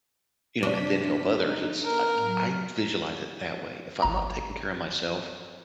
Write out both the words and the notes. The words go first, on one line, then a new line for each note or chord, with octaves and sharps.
you know, and then help others." It's I c I visualize it that way. If I'm not taking care of myself
C3 D4 B6
D#4
B3 A#4
A2 F#3
G#1 A#5